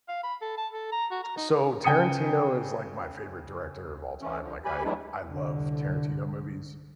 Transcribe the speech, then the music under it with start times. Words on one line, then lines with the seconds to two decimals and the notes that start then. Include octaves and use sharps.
so Tarantino is like my favorite director of all time, like I I love Tarantino movies.
0.08 F5
0.23 B5
0.42 A4
0.57 A5
0.73 A4
0.92 A#5
1.11 F#4
1.24 A#5
1.37 D#4
1.84 C#3 G5 G#5 D#6 C#7
4.22 E3 A3 C#4
4.42 D3 F3
4.65 D2 G4 G#5 B5
4.84 E3 F#3 G#3 A3 D4 E4
5.25 C2 D3